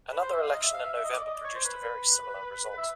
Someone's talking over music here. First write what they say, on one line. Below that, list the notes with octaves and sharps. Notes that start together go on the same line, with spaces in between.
Another election in November produced a very similar result.
B4
C5
E5
F5
D#5
E5
F5
E5
E5
D#5
D5
D#5
D5
C#5
C5
B4
E5